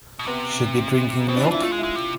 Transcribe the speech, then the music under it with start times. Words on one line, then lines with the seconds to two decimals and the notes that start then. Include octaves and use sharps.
Should be drinking milk.
0.19 B2
0.27 C3 B3
1.28 B2 C4
1.36 E3 D4
1.44 F4
1.51 E3 E4
1.62 A3 F4
1.72 G#3
1.78 E4
1.84 G#3
1.95 C3